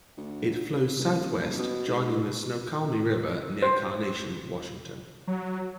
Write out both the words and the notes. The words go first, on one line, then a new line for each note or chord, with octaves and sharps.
It flows southwest joining the Snoqualmie River near Carnation, Washington.
D2
D#1
D#1
B2
G#2
C5
F#3